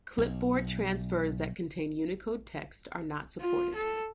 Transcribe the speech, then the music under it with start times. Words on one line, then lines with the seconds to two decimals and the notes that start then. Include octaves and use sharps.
Clipboard transfers that contain Unicode text are not supported.
0.18 B1
3.41 F4
3.75 A4